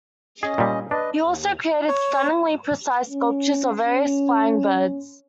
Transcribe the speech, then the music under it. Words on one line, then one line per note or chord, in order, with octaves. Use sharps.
He also created stunningly precise sculptures of various flying birds.
C#4 G#4 D#5
A#2 G3
D4 B4 D#5
D#2
C#5
C#4
C#4